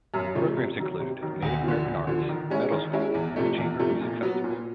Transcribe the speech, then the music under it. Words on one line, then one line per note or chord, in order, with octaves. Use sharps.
Programs include: Native American Arts, Metals Week and the Chamber Music Festival.
F#2
C#3 F3 A3
C3
D#3 F#3
C3
D#3 F#3
D2
D3 F3
D2
D3 F3
D#3
G#3 C#4 E4
D#3
G#3 C#4 E4
E2
C3 F3 A3
E2
C3 F3 A3
A#2
F#3 B3
A#2